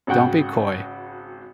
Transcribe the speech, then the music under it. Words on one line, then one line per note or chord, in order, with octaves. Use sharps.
don't be coy.
G#1 C#3 F#4 F#5 G5